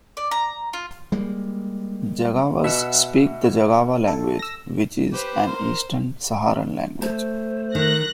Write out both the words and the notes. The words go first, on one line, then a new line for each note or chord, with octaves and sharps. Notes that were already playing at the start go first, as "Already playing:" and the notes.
Zaghawas speak the Zaghawa language, which is an eastern Saharan language.
D5
A#5
F4
G3 G#3 A#3
B2 E5 F#5 E6
A4
E6 A#6
G4 B4 C5
A#4 C6
A3 C5
D#3 F#6 A#6